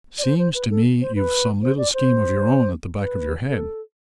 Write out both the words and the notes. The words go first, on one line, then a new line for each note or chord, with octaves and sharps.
Seems to me you've some little scheme of your own at the back of your head.
D5
C5
C5
B4
A4
C5
B4
C5
D5
C5
B4
A4